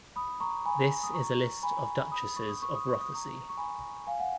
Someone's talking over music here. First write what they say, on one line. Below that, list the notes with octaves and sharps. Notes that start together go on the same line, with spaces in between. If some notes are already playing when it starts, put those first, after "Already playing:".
This is a list of Duchesses of Rothesay.
B5 D#6
A#5 C#6
G#5 B5
D#6
A#5 C#6
G#5 B5
B5 D#6
C#6
D#6
C#6
D#6
C#6
D#6
A#5 C#6
C#6
G#5 B5
F5 G#5
F#5